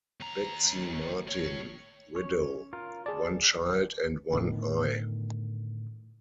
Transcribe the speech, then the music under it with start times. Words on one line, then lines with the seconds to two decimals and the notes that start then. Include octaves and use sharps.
Betsy Martin, widow, one child, and one eye.
0.20 D#2 A#5
1.28 A2 C#5
2.15 C#4 C#5
2.73 F4 A#4
3.06 G#4 D5 A5
4.33 A2 D3 D#3 B3